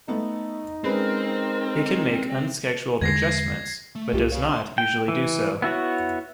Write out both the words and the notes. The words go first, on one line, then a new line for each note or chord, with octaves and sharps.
It can make unscheduled adjustments but does not usually do so.
A3 B3 D#4
G#3 C4 C#4 A#4 B4
E2 D3 G#3 G#6 A#6 C7
A3
C2 F4 G4 A4
G#4 C#5 F5
D4 C6
G5
E3
B3 E4 F#4 C#5